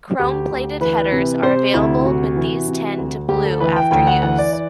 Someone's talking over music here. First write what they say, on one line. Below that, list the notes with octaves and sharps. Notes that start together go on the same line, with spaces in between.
Chrome plated headers are available but these tend to blue after use.
D2 G4
D2
E3 B4
C3
C3 C5
D2 E4
C3 F#4
E3
C3
D2
D2 G4
A4
E3 B4
G5
D2 G5
F#5
E3 F#5
D5
D5